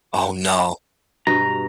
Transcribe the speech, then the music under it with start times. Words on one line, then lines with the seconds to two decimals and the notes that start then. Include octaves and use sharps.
Oh, no.
1.27 G2 B2 B4 A#5